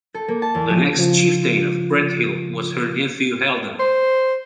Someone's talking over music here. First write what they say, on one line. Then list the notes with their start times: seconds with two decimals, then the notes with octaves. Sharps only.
The next Chieftain of Brethil was her nephew Haldan.
0.14 A4
0.28 A#3
0.42 A5
0.55 E2
0.70 F3
0.97 C#3 F3 F4
3.79 C5